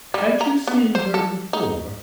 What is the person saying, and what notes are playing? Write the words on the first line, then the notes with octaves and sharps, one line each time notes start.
Had you seen her before?
G3
A#5
B3
C5
A4
D#4